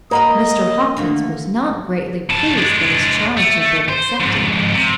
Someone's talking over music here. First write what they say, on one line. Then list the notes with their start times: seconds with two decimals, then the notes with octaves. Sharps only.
Mr. Hopkins was not greatly pleased that his challenge had been accepted.
0.11 A#3 F#4 A#4 B4 D#5
0.97 D3 A3 A#3
2.30 C#3 A5
2.57 G#3 D4
3.37 A3
3.89 C5
4.20 F2 G#2
4.74 C3